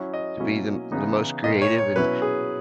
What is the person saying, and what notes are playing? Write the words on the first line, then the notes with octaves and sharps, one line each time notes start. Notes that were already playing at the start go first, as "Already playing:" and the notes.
to be the the most creative, and,
Already playing: F#3 C#4 E4
D#5
B2 F#3 A#3 C#4 E4
C#3 E3 B3 D#4
A#2 A#3 D#4 D#5
C#5
C#5
B2 F#3 C#4 E4 B4
G#4